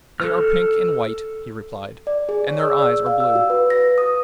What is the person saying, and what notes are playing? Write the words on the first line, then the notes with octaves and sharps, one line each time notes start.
'They are pink and white,' he replied, 'and their eyes are blue.'
A4 F6
D5
G#4
C#5
E6
D5
F5
E6
F#4
B4
A#6
D#6